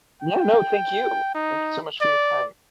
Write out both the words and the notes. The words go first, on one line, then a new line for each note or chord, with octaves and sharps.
Yeah, no, thank you. Thank you so much for your time.
G5
D#4
D5